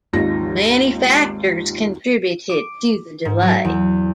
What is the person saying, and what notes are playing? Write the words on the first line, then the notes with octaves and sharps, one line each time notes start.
Many factors contributed to the delay.
G#1 D#2 D#4 F4 A#6
D6
G#2
F#3
E2